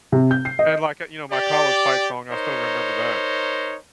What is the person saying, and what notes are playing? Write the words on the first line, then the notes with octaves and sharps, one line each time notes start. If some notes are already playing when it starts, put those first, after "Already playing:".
And, like, uh, you know, my college fight song, I still remember that.
C3
G6
C7
D#5
G4 D5
D#4 A#4 C5 C#5